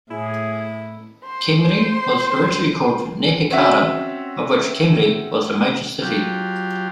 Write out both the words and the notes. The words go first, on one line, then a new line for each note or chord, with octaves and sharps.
Khemri was originally called Nehekhara, of which Khemri was a major city.
A2 E4 G#4
C5 C6
C4 C#4 F#4 E5 F#5
F#3 F4 G4